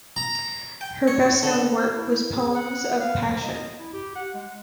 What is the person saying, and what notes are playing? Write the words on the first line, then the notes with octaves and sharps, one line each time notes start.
Her best-known work was "Poems of Passion".
A#5
G5
C#5
D3
C5
E4
G#4
F#5
F5
F3
D#5
E4
G4
F#5
G#3